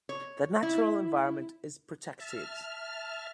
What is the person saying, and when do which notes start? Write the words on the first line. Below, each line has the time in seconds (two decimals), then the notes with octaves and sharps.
The natural environment is protected.
0.09 C#5
0.63 E4
2.20 E5 A5 F6